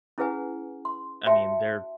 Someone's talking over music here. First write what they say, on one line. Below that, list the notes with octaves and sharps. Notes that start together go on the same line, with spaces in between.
I mean, they're
C#4 E4 G#4 B4 F#5 G#5
C6
F#4 C#5 E5 G5 A5 C6